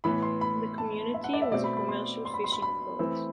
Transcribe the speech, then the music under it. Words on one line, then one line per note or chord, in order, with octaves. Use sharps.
The community was a commercial fishing port.
A2 E3 B3 B5
C6
B5
A5
E5
F#5
D5
E5
B2 A3 C4 D5
B5
B5
C6
C6
B5
C6
B5
B5
E3 A3 C4